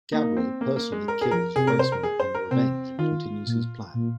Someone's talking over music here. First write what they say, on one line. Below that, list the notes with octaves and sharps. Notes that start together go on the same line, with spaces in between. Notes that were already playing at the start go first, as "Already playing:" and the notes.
Gabriel personally kills Reisman in revenge and continues his plan.
A#3 D#4
C4
A#3
A#3
G#3
A#4
G#4
F3 A#4
C3 G#4
A#4
C5
A#4
G#4
C5
A#4
C3 C4
D#3 F4
A#2
A#2